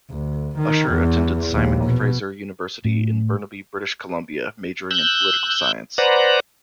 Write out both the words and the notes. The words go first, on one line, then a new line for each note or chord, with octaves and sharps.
Usher attended Simon Fraser University in Burnaby, British Columbia, majoring in political science.
D2
D#3
E2
A#1 D#2
B2
A2
E6 F#6 G6
B4 C5 D5 F#5 A#5